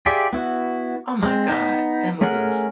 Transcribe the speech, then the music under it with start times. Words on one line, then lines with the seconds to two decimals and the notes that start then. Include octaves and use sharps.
oh my god. That movie was
0.06 F4 G4 G#4 D5 E5
0.33 B3 E4 F#4
1.23 G#3 C4
1.49 B3 D#4
2.21 A3 C#4 G#4 A#4 F#5